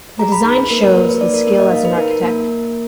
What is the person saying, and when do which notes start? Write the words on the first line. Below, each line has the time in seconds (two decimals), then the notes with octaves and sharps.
The design shows his skill as an architect.
0.19 G#4 A#5
0.32 B5
0.45 D#4
0.58 B4
0.70 A#3 A#4
0.83 A#4
0.96 A#3 B4
1.09 B4
1.21 D#4 D5
1.34 A#4
1.47 A#3 A#4
1.60 D#5
1.71 D#4 F5
1.85 B4
1.97 D#4 A#4
2.10 A#4
2.23 A#3
2.48 A#3